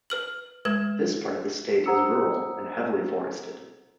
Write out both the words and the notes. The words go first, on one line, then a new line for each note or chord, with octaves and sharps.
This part of the state is rural and heavily forested.
B4 F6 F#7
G#3 B4 G#6 E7
C5 F#5 A#5 D#6 E6 C#7